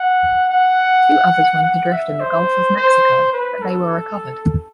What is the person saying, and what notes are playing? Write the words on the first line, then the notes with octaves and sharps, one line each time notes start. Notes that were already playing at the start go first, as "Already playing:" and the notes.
Two others went adrift in the Gulf of Mexico, but they were recovered.
Already playing: F#5
F#5
F#5
E5
C5
C5
B4
A4